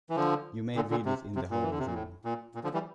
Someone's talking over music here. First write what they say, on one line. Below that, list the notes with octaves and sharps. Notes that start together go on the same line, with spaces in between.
You may read it in the whole room.
E3
D3 F3
A#2 D3
A#2 D3
C3
C3
A#2
E3
D3
C3
A#2
A2
A#2
A#2
D3 F3
E3 G3